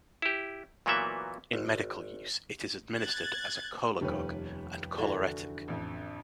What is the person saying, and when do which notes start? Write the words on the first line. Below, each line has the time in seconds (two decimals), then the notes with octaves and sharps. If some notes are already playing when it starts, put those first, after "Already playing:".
In medical use, it is administered as a cholagogue and choleretic.
0.22 E4 G4
0.86 A#2 E3 F#3 A#3 B3 E5
1.53 G#1
2.99 F#6 G#6 A6
4.01 F1 D#2 G3 C#4 B4
4.98 D3 E3 F#4
5.68 A1 F2